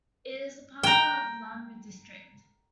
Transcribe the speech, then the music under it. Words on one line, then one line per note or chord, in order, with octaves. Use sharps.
It is a part of Lamu District.
G5 A#5